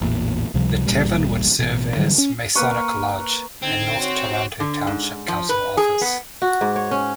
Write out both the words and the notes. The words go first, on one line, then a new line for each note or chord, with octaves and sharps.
The tavern would serve as Masonic Lodge and North Toronto township council office.
A1 E2 A#2
C#2 C3 F3 G3
D1 A1 A#2 G3
A1 B2
D3 E3 F#3 G3
C#4
A#3 A#4 B4 C#6
D3 C4 D#4 G#6
F#4 C#5 C6
D3
G#2
F3
B4
G#4
B3
F#4
G#2
C#5
C#4